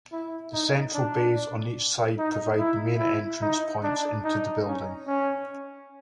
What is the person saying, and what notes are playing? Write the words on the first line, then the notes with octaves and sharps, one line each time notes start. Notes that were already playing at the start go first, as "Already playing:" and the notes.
The central bays on each side provide the main entrance points into the building.
E4
D#4
D4
D#4
E4
E4
D#4
D4
D#4
C#4
C#4